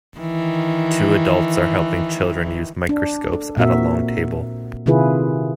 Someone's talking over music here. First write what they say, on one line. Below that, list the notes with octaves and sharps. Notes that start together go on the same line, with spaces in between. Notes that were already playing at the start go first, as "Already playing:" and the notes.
Two adults are helping children use microscopes at a long table.
D#3 E3
D4
A4
A#2 C4 F#4 A#4 E5
C3 D#3 E4 F4 G#4 B4